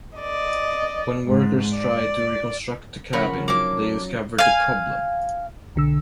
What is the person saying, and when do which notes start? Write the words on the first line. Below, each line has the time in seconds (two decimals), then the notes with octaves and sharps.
When workers tried to reconstruct the cabin, they discovered the problem.
0.18 D5 D#5
1.26 G#2
1.75 D5
3.13 C#3 F3 C#4 A#4 F#5 B5
3.48 F#3 A#3 D4 D#4 D6
4.38 F5 G#5
5.76 B1 D3 E6